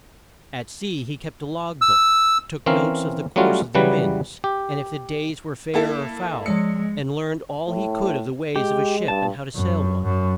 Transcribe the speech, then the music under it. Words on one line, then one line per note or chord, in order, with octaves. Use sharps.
At sea he kept a log-book, took notes of the course of the winds, and if the days were fair or foul, and learned all he could of the ways of a ship and how to sail one.
E6
E3 C4 C#4 A#4 F5
F#3 G3 A3 C#4 F4 F#4
C#3 E3 F#3 G3 B4
G4
A#3 E4 A4
F3 G#3 D5 E6 C#7
A2
G#3 G4
G2 A5
F#2
F#2